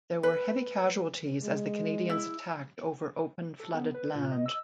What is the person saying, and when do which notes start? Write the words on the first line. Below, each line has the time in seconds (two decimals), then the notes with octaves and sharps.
There were heavy casualties as the Canadians attacked over open, flooded land.
0.23 B4
1.42 G#3
2.09 E4
3.60 A4
3.74 B3
3.94 B4
4.15 A#2
4.31 D#5
4.46 E6